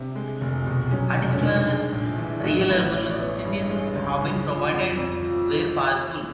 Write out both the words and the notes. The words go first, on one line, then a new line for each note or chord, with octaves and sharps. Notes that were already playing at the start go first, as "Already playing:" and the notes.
Additional reliable cites have been provided where possible.
Already playing: C3 D4
G#3
F1
B2
F#3 C#4
F1 D4
C#4
D#3 D4
G#3
A#1
E3
A1 F#4
A1 B4
E3 C#5
D5
B3 C#5
G2
C#5
G#3
C#2 C#5
C#2
F3
F2
F2
F3